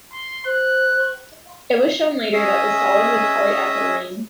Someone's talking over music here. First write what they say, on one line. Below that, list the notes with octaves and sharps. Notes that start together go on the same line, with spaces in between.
It was shown later that this solid was polyethylene.
C6
C5 F#6
C#4 G#4 D#5 E5 D#6